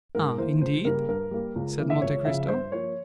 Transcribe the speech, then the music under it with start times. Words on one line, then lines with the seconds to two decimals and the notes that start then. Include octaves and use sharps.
"Ah, indeed?" said Monte Cristo.
0.15 G#2 A#4
0.38 E3 A#3 C5
0.61 C#2 C5
0.85 C#3 G3 A#3 A#4
1.08 G2 A#4
1.31 G3 A#3
1.55 C#2
1.79 C#3 E3 A#3
1.90 E5
2.02 C#2 C#5
2.25 C#3 F3 E5
2.48 G2 C5
2.72 F3 A#3 C#5